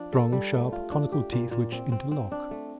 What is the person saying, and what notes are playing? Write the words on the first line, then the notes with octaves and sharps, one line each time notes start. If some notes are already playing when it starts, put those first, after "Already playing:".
Strong sharp conical teeth which interlock.
Already playing: F3 D4
A4
G3
A3
F4
D4
G4
A#2
A#2
C4
C4
C4
D4
A3